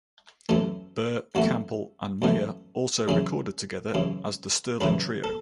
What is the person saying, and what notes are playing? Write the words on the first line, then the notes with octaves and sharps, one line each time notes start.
Burr, Campbell and Meyer also recorded together as the Sterling Trio.
F#2 E3 A3
F#2 E3 A3 F#4
F#2 E3 A3
F#2 C#3 E3 G#4
F#2 C#3 E3
F#2 C#3 E3 B4
A4